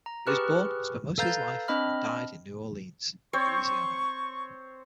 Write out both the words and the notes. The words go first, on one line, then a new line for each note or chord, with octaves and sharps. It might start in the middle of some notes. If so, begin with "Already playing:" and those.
He was born, spent most of his life, and died in New Orleans, Louisiana.
A#5
G4 G#4 B4 C#6 F6 F#6
A4 B4 F5 A#5 G6 A6
C4 D4 D#5 B5 F6
C4 C5 C#5 C#6